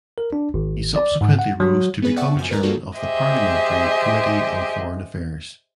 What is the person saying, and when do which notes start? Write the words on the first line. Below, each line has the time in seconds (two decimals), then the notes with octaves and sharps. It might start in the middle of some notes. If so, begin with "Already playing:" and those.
He subsequently rose to become chairman of the Parliamentary Committee on Foreign Affairs.
0.18 A#4
0.33 D4
0.54 G#1
0.96 D5
1.21 G#2
1.39 F#5
1.60 F#3
2.02 B3 C#4 G#4 B4
2.17 D5 E5 F#5 G5 C#6 E6
2.35 F#2 F3 G#5
2.50 A#4 B4 D5 A#5
2.63 G3 A#3 F4 F#4 A4 C#5
2.99 G4 G#4 C5 D#5 E5